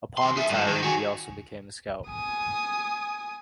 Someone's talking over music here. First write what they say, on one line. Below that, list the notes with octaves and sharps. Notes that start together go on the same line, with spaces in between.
Upon retiring, he also became a scout.
E2 C6
G#4 E5
G2 F3
D#3
F#4 G#4
G#5 D#6